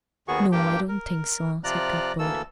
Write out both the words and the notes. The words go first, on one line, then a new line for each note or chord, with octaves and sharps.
"No, I don't think so," said Cuthbert.
D#2 D#3 B3 F#4 G#4 C#6
G2 A#3 G4 G5
A#4
C3 F3 F4 D5 A#5 F#6
D2 E3 A#3 A4 E6